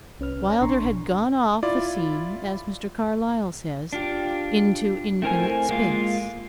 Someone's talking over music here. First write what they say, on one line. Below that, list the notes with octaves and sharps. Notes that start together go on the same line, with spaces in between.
Wylder had gone off the scene, as Mr. Carlyle says, into infinite space.
C2 C#4 B4 F6
C#5 D5 G#5 A#5
A1 B2 D4 A#5 C6 C#6
E4 F4 D5
D4 F4 G4
A3 C4 E4 A#4 C5 G#5
G#3 A#3 F4